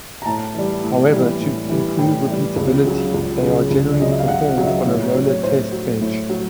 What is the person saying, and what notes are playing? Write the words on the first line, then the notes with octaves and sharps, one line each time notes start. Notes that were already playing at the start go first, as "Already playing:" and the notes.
However, to improve repeatability, they are generally performed on a roller test bench.
A#5
A2 A5
E3 G3
A2
E3 G3
A2
E3 G3
A2 G5
E3 G3
C#2
C#3 F#3
C#2
C#3 F#3
C#2
D5
C#3 F#3 D#5
E5
F5
C#2 F#5
F5
C#3 F#3 D#5
E5
A2 C#5
C#5
F#3
C#5
A2 C5
F#3
A2
F#3